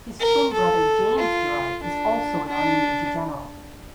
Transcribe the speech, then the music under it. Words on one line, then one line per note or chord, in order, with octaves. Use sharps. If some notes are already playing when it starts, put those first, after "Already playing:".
His twin brother James Jarrard is also an army major general.
A#4
A4
F4
D4
D4